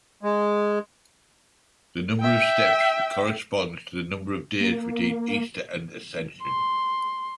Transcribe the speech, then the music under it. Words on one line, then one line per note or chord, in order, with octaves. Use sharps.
The number of steps corresponds to the number of days between Easter and Ascension.
G#3
E5 G5
A#3
C6